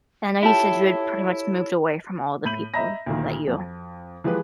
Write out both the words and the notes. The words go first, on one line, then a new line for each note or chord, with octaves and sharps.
I know you had said you pretty much moved away from all the people that you
E4 F4 G4 A4 C#5 A5
A2 B5 G6 D#7 F#7
D#5 E5 A#5 B5 A#6
D2 A#2 D#3
F2
E3 F3 G#3 G4 G#4 B4